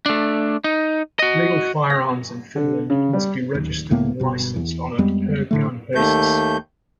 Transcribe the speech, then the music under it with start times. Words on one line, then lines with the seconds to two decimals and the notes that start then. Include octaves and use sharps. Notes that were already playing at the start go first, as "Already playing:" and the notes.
Legal firearms in Finland must be registered and licensed on a per-gun basis.
0.06 A3 D4
0.64 D#4
1.19 F#4 D#5
1.90 A#6
2.56 D3
2.90 C#3
3.13 G3
3.54 D1 D#2
3.90 C#2 A2 A#3 B3
4.20 G1 B2
4.56 E2
4.98 F2 G3 G#3 B3
5.51 A2 D3 A3
5.95 D#2 A3 G6